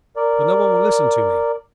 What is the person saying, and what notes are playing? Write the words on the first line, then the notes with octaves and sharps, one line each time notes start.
But no one will listen to me.
A#4 D5